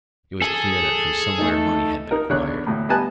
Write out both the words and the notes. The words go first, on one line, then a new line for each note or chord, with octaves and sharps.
It was clear that from SOMEWHERE money had been acquired.
G#4 A4 G#5
A3 D#4
D#4 A#4
E2 D3 C#5 F#6
D2 A2
G3 B3 D#5 G#5 A5 F#6